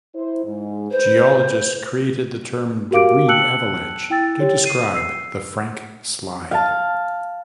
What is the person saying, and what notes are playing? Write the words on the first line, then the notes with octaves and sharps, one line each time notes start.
Geologists created the term "debris avalanche" to describe the Frank Slide.
E4 C5
G#2
B4 C5
F#4 G4 A#4 F5 D6 D7
G5 A5 E6 F#6 C#7 F#7
E4 G5 E6 A6
G4 C#5
C7 D#7
E6 C7
F5 A5